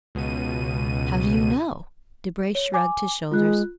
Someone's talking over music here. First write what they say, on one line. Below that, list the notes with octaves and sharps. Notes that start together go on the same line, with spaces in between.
"How do you know?" Debray shrugged his shoulders.
C#2 B2 D#7
C#5
G#5 D6
G#3 F4 F#6